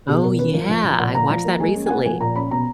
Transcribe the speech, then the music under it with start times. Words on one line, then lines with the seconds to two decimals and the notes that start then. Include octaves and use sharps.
Oh yeah, I watched that recently.
0.08 B2 G#4
0.24 B2 A#4
0.39 C#4 B4
0.54 F3 A#4
0.69 F3
0.84 F3
0.99 A#2 F#5
1.15 A#2 A#5
1.30 F3
1.45 A#3
1.60 G#3 G#5
1.75 C#4
1.86 G#5
1.90 A#3 F#5
2.05 F3 G#5
2.20 A#2 A#5
2.35 C#4 B5
2.51 B2 A#5